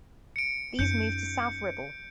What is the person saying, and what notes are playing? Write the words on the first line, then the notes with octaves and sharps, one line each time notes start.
These move to South Ribble.
C#7 D7
F#2 D#4 G6 C#7